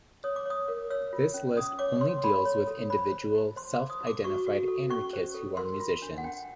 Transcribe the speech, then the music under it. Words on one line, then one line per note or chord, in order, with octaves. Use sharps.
This list only deals with individual, self-identified anarchists who are musicians.
C#5 D#6
D6
C#5 D#6
A#4
C#5 E6
F4
C#4
C#4 D#6
C#5 D6
C#5 C6
A4 B5
C#5
A4
C5 B5
C5
E4
C5 C6
D6
C5
D#6
E4
D6
F#4 C#6
F#4
A4
C#4 C#6
C5
A4
A#4 C6
F4
D4
F#5
D4 G5